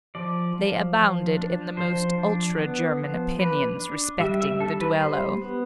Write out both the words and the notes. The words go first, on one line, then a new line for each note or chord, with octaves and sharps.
They abounded in the most ultra German opinions respecting the duello.
F3 D5
F3
F3
D4
F3 C5
D4
B3
F3
D4 B4
D4
G3 E5
E5
D4 A4
B4
G3 C5
B3